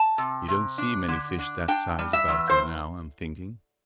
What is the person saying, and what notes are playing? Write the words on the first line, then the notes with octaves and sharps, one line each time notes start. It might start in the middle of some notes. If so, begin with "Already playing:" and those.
You don't see many fish that size about here now, I'm thinking.
Already playing: A5
C3
C3
D4
D3
D4
D4 G5
G3
E5
E2
C5